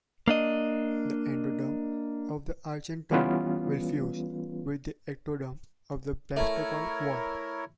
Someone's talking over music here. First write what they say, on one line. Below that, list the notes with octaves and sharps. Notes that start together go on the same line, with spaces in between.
The endoderm of the archenteron will fuse with the ectoderm of the blastocoel wall.
A#3 D4 D#5
E3 G3 B3 C#4 F4 B4
A3 E4 A#4 C#5